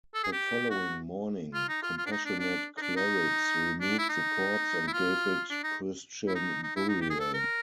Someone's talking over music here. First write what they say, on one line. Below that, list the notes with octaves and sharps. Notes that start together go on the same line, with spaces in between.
The following morning compassionate clerics removed the corpse and gave it Christian burial.
A4
G#4
G4
F#4
F4
D#4
F4
F4
D4
D#4
D4
D4
D#4
D4
D#4
D4
E4
D#4
E4
F4
D4
D#4
E4
D#4
D#4
E4
D#4
G4
G#4
A4
A#4